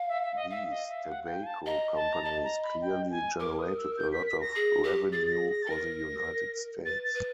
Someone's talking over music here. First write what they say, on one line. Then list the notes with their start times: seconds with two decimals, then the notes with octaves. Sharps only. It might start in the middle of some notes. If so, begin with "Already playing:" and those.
These tobacco companies clearly generated a lot of revenue for the United States.
Already playing: F5
0.08 E5
0.22 E5
0.36 D#5
0.51 E5 F5
0.70 D#5
0.89 E5
1.09 F#5
1.24 F#5
1.28 G5
1.43 G#5
1.47 A5
1.66 D#5 A#5
1.95 A5
2.13 A#5
2.24 D#5 A5
2.44 A#5
2.63 B5
2.82 G5
3.11 G#5
3.40 A#4 D6
3.58 D#6
3.77 E6
3.97 G6
4.12 B6
4.27 B6
4.41 A#6
4.55 G#4
4.84 G4
5.12 G#4 A6
5.27 A6
5.32 A#6
5.51 A#6
5.62 A6
5.66 A4
5.70 A#4 A#6
6.85 B4 A6
7.05 A6
7.14 B4